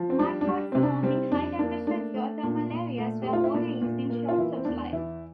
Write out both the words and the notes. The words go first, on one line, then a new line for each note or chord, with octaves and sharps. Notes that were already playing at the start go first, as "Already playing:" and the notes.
Mudpots form in high-temperature geothermal areas where water is in short supply.
Already playing: F3
C4
G3 D4
D4
G3
C3 C4
D4
G3 C4
F2 D4
A#3 D4
A3 D4
A3
A#2
A#2
A3
A3 G4
F4
E4
A#2 D4
A#2
A#3
F4
E3 E4
C4
E2 D4
E3 E4